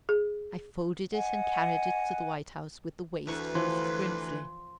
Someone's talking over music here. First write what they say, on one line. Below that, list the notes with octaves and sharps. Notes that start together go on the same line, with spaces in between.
I folded it and carried it to the White House, with the waist for Mrs. Grimsly.
G#4
D#5 F#5 G#5
D2 E3 B4 A#5 C#6
E3 F3 C6